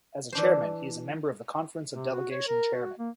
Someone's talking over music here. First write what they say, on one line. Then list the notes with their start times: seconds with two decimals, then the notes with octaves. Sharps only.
As a chairman, he is a member of the Conference of Delegation Chairmen.
0.32 E3 D4 C5
1.93 C3
2.12 F#4
2.31 C#5
2.47 A#4
2.74 F#4
2.99 A#3